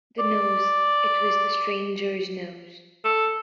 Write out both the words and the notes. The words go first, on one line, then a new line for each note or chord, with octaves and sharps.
The nose — it was the stranger's nose!
D5
A4